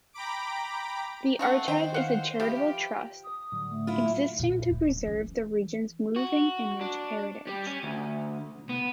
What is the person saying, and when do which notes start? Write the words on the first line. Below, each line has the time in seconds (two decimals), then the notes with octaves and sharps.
The archive is a charitable trust, existing to preserve the region's moving image heritage.
0.13 G5 A#5 B5 D6 D7
1.39 A3 C4 C#4 F5 F#5 A5
1.68 D#3 C5 D#5 G5
1.94 F5 F#5
2.40 F3 G4 E5 B5
3.23 D#6
3.52 A2 D3 F#3
3.71 A3
3.87 E4 F4
4.39 F2 A#2
4.71 D1
5.06 E3 C#4
6.16 F#4
6.81 D4
7.47 G3
7.66 C#4
7.83 D2
8.69 B3